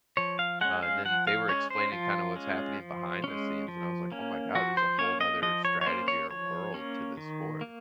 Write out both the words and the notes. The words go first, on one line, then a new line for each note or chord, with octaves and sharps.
Uh, and then they were explaining kinda what's happening behind the scenes, and I was, like, "Oh my god. There's a whole nother strategy or world to this sport."
F3 C#5
F5
G#3 C#4 F#5
F5
F3 F#5
F5
G#3 C#4 C#5
C5
F3 F4
G#3 C#4
F3
G#3 C#4
F3
A#3 C#4
F3 F#4
C5
A#3 C#4 C#5
D#5
F3 D#5
C#5
C#5
A#3 C#4 C5
C#5
F3 C#5
A#3 C#4
D#3
A#3